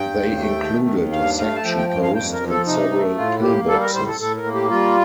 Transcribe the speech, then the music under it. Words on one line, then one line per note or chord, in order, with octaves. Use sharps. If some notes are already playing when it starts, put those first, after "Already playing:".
They included a section post and several pillboxes.
Already playing: G2 G5
D#2
A3
D#3
D#2
G2 F5
A3 F5
A5
F3 G5
G5
G2 G5
F5
F2 G5
A#4
F3
A4
C3 D#4
A3
A2 F4
A#3 G4
G3 A4
A#4
A2 C5
A4
A2 A4
A#4
A#3
G4
G3 F4